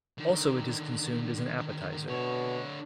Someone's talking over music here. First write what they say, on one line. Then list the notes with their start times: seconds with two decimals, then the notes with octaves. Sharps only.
Also it is consumed as an appetizer.
0.18 D3 D#3
2.08 B2 D3 C#5